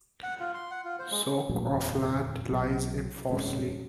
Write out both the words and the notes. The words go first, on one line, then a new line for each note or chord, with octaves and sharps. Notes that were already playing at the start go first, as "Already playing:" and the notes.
Soke of land lies in Fawsley.
F#5
F4
C6
F#5
F4
C5
G#3
A1 G2 A#2 F#3
D#1 F2
B1 B2
D#1 F2 G#3 C#4